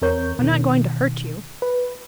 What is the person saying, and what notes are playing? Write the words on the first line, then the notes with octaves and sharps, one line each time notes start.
I'm not going to hurt you.
E2 C4 A#4 C#5 G6
B2 D#3
B4